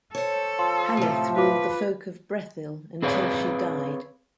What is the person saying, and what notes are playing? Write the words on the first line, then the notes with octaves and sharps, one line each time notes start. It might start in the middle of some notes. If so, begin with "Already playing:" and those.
Haleth ruled the Folk of Brethil until she died.
A4 C5 C#5
F3 C6
A2 C3
F4 B4 F5 D6
C4 G#4 B4 C#5 D5 F5